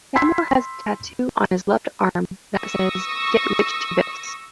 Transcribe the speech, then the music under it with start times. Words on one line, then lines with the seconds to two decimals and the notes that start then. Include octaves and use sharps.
Samuel has a tattoo on his left arm that says Get Rich To This.
0.15 B5 C6 E6 G#6 B6 C7
2.57 C#6 D#6 E6 A#6